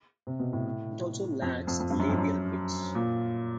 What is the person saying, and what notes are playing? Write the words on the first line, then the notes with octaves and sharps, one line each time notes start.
It also lacks labial pits.
C3
B2
A2
F2
F2
F2
G2
F#2
F2
F#2
A#2